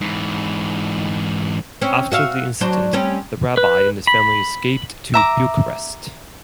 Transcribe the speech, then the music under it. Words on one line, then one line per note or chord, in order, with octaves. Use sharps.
After the incident, the Rabbi and his family escaped to Bucharest.
G#2 E3
C4 C#4
F#4 E5 F5
F#3 D4 C5
G3 C4 C#4
B4
B5
E5 A#5 D6